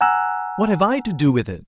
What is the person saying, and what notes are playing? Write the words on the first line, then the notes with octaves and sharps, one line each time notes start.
"What have I to do with it?"
F#5 G#5 A#5 E6 F#6